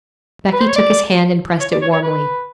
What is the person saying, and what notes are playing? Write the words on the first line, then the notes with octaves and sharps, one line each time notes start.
Becky took his hand and pressed it warmly.
B4
C5
C#5
D5
C#5
D5
C#5
C#5
B4